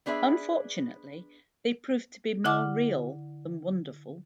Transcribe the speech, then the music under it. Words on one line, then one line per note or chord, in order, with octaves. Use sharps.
Unfortunately, they prove to be more real than wonderful.
B3 D4 G#4 B4 E5
D3 E4 F#5 D6 F6